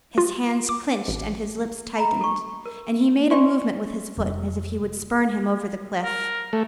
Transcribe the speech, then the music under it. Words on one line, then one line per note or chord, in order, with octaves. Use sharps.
His hands clinched and his lips tightened, and he made a movement with his foot as if he would spurn him over the cliff.
F4
D6
A1
A#5 B5
A4 C#6
A#4
C5 D5 G5 G#5 C6 C#6
F1 G3
A#4
A3